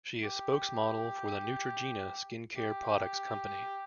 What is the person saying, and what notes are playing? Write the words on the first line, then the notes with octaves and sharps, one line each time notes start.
She is a spokesmodel for the Neutrogena skin care products company.
G4
G4